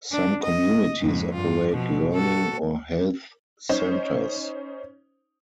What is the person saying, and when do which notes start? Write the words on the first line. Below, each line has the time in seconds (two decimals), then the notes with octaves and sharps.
Some communities operate learning or health centers.
0.12 D4
0.43 D#5
1.00 F2 G#2
1.34 G2 F4
1.71 B2 F3
2.13 F#4 A4
3.69 C#4 D#4 C5